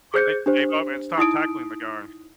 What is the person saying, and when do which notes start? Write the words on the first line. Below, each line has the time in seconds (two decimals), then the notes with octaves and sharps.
Like, they just gave up and stopped tackling the guy.
0.14 G#4 C5 G6 C#7
0.46 D4 G4 C5
1.18 D#4 E4 D#6 D7